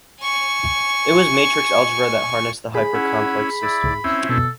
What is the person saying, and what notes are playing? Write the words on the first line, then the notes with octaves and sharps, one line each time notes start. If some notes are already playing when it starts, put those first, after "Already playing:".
It was matrix algebra that harnessed the hypercomplex systems.
G#5 C#6
G#4 B5
C#4 E4 F#5
E4 D5
C4 C#4 E4 E5
B2 A4